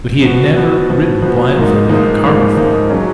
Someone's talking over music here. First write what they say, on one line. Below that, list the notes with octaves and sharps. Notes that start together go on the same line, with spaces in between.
But he had never ridden blindfolded in a car before!
F3 B3 F#4
F3 B3 F#4
F3 B3 F#4
F3 B3 F#4
G#2 F3 A#3 D#4
G#2 F3 A#3 D#4
G#2 F3 A#3 D#4
G#2 F3 A#3 D#4
C#3 F#3 C#4